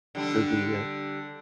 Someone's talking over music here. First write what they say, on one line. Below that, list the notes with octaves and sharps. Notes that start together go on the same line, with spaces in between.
review, yeah.
D3 G3 D4